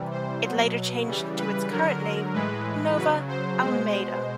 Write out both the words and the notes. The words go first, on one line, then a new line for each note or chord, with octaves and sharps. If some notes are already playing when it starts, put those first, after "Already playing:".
It later changed to its current name, Nova Almeida.
Already playing: C3 E3 G3
C5
B2 F#3
C#3 E3 G3
B4
D3 F#3 A#4
A2 E3 G#3 B4
C#3 F#3 B4
C5
B2 G#3 C5